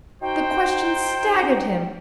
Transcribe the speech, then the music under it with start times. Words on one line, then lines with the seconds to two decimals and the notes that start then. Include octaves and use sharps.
The question staggered him.
0.22 D#4 F#4 C5 G5